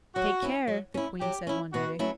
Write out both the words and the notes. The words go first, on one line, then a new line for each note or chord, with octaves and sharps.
"Take care," the Queen said one day.
F#3 F#4
C#4 E4
F#3
C#4 E4
F#3 G4
C#4 E4
B2 F#4
F#3 A3 C#4 E4